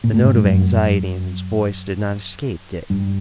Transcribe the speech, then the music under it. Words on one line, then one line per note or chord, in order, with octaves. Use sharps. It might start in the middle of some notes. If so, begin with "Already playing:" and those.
The note of anxiety in his voice did not escape Dick.
A#2
A2
G#2
G2
F#2
G2